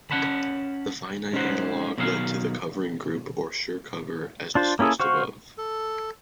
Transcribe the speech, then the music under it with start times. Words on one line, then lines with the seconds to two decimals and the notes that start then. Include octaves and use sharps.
The finite analog led to the covering group or Schur cover, as discussed above.
0.11 C#4 C#5 F#5 A5 B5
1.33 G#3 C#4 D#4 G#4 C5 F#5
1.98 B2 D#3 F#3 G#4 B4 F5
4.55 D4 F4 C5
4.79 A#3 C#4 E4 G#4 A4
5.00 F#4 C5 F5 C#6
5.58 A4